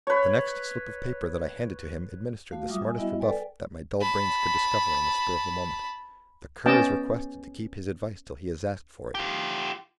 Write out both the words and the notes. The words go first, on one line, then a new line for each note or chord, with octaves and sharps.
The next slip of paper that I handed to him administered the smartest rebuff that my dull brains could discover on the spur of the moment: "The Cur is requested to keep his advice till he is asked for it."
B4 C#5
A3 F#4 F5
F#3 G3 F4 E5 D6 D#6
G#5
G3 B3 E4 F#4 D#5 E5
A4 B4 D5 G5 G#5
A5 B5
B3 C#4 D#5 G5 A5
F4 G4